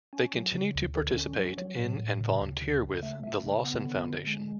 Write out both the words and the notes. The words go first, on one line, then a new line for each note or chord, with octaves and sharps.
They continue to participate in and volunteer with the Lawson Foundation.
C#4
F#3
C#3
D2
D3
C#4
F#3
F#3
A2
A2
C#3
D2
C#3
C#3
A3
A3
C#3
B3
D3
D3
G#3